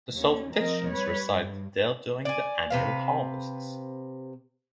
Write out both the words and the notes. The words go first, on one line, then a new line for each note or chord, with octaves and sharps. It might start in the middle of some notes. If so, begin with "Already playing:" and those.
The Sulpicians resided there during the annual harvests.
D#2 C#4
F3 C4 A#4 D#5
G3 B4 C#5
G2
D5 G#5
C3 B4 F5